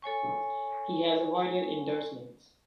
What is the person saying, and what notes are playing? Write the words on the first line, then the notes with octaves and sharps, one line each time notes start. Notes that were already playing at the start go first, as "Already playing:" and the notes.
He has avoided endorsements.
A4 C#5 G#5 C#6